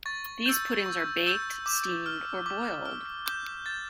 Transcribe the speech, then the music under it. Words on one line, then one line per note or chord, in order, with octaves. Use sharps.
These puddings are baked, steamed or boiled.
C#6 A6
E6 G6
C#6
E6 G6
D6
F6
D6
F6
D6 G6
G6 A6